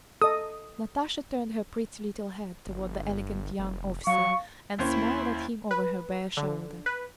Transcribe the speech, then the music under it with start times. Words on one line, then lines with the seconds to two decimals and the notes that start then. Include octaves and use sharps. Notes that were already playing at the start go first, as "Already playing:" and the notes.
Natasha turned her pretty little head toward the elegant young officer and smiled at him over her bare shoulder.
0.22 A4 D#5 D#6
2.66 G1
3.59 F1
4.07 F#3 F5 C#6
4.79 D#2 C#4 E4 C5
5.71 B4
6.37 D3
6.86 B4